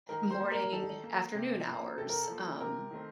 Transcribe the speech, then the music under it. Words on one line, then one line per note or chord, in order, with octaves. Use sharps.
morning, afternoon hours, um,
D#3 A#4
C5
A#3
A#4
D#3 A4
A#3
C3
F3 A#3
C3 A4
A#4
A4
F3 A#3
C3 A#4
D#3 A3 C4